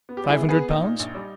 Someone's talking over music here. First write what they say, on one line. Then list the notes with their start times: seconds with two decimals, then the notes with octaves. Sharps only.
Five hundred pounds?'
0.09 B3
0.17 G4
0.24 G3 E4 G#4
0.38 B3
0.49 G#4 B4
0.54 B3
0.69 A#2 D#4
0.84 A#2
0.99 A#1
1.15 G3